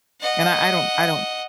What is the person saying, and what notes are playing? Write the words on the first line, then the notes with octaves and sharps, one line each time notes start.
and I I don't I don't
D#5 F#5